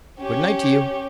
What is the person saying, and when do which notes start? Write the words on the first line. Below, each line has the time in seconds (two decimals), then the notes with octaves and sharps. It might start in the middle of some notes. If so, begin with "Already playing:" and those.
"Good-night to you."
0.21 C#4 G4